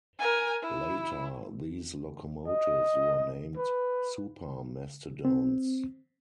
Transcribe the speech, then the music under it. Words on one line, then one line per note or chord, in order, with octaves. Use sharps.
Later, these locomotives were named Super Mastodon's.
A#4 G#5
E4
D#5
B4
C4